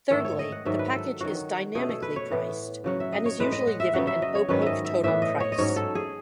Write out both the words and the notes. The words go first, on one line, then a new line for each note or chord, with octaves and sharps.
Thirdly, the package is dynamically priced and is usually given an opaque total price.
G#2 D#3 A3 A4
C#5
D#5
F#5
G#2 D#3 F#3 E5
B4
A4
D#3 F#3 C#4 F#4
B2 A3 C#4 G#4
A4
B4
C#5
A2 E3 B3
C#3 F#3 C#4 F#5
E5
D#5
C#5
A2 G#3 B3 B4
D#5
F#5
E5
C#3 F#3 B3 F#5
E5
D#5
C#5
G#2 D#3 F#3 C#4 B4
D#5 E5
E5
A2 E3 B3 E5
D#5
C#5
D#5
G#2 F#3 C#4 C#5
A4
G#4